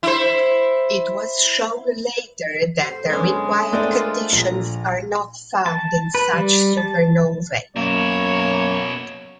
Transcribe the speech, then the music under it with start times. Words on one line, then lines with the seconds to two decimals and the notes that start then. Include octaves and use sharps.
It was shown later that the required conditions are not found in such supernovae.
0.03 E4 C5
2.82 G4 A4 C5
3.10 F#2 D3 G#3 B3 C#4 A4
3.73 A3 D4 A4 A#4 C5 D#5 G5
3.93 F4
4.32 A#1 A#5
5.66 A5
6.15 B4
6.33 G3
6.77 A5
7.76 F#2 B2 A#3 E4 C#5